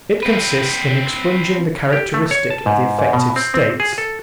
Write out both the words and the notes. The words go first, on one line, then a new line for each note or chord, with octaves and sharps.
It consists in expunging the characteristic of the affective states.
C4 B4
G4
A3
C#5
A5
G#2
G#2
B2
C4
C4
G#4
A4